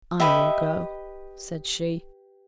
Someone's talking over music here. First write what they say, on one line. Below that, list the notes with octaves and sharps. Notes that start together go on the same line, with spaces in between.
'I will go,' said she.
G4 B4 D#5 E5